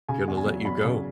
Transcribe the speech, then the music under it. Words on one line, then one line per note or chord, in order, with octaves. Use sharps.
gonna let you go,
C#3 G#5
E2
G#5
F#3
E2 B5
C#3